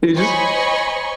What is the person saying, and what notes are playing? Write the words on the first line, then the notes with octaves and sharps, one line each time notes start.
You just
C5 C#5 D#5 G#5 B5 C#6